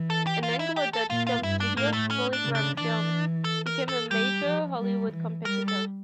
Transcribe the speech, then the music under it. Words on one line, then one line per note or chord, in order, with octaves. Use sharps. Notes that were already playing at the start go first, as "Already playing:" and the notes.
An Anglo-Dutch film studio, PolyGram Films became a major Hollywood competitor.
Already playing: E3
A4
G4
F4
E4
G4
A4
A#2 F4
F4
G2 E4
D4
A2 A#3
A3
C#4
D4
C#3
D4
E3 D4
A4
A#4
A4
G3 G4
F3
G3
E3
G3 A#4
A4